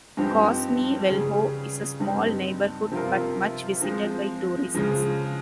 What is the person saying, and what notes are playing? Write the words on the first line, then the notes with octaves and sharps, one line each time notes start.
Cosme Velho is a small neighborhood, but much visited by tourists.
G2 F3 C4 D#4 G4
C#3 G3 C#4 G#4
G2 G3 C4 D#4
C3 F3 C4 F4 A#4
F3 G#3 C4
C#3 F3 G#3